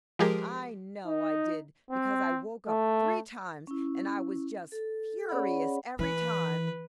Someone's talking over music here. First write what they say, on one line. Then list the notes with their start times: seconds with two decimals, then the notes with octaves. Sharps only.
I know I did because I woke up three times and I was just furious every time.
0.19 F3 G#3 G4 G#4 A#4
1.07 D#4
1.91 C4
2.68 A3
3.67 C#4 E4
4.72 A4
5.29 C#4 G#4 C#5 D5 F#5 B5
5.99 E3 B4